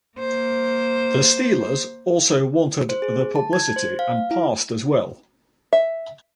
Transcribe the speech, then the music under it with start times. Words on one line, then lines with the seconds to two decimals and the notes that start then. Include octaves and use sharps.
The Steelers also wanted the publicity and passed as well.
0.17 A#3 C5
2.89 C5
3.02 G#4
3.36 A5
3.53 G#6
3.76 C5
3.99 F5
4.31 E4
5.73 E5